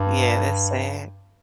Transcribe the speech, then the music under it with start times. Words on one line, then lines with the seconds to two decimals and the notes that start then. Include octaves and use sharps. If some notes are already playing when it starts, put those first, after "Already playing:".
Yeah, that's sad.
Already playing: G2